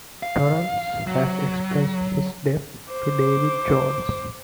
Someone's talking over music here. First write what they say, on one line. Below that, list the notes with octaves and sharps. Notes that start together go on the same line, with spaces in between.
Torrance has expressed his debt to David Jones.
F5
F#3
C5 D6